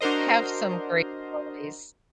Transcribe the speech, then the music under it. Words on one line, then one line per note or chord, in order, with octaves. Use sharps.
have some great holidays,
D4 F#4 A#4 C5 D#5